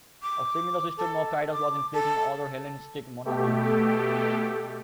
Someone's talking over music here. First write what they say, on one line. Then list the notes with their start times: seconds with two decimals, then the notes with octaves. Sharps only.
A similar system of titles was in place in other Hellenistic monarchies.
0.23 D6
0.97 A4
1.53 D6
1.93 A4
3.25 B2 A3 G4
3.62 A4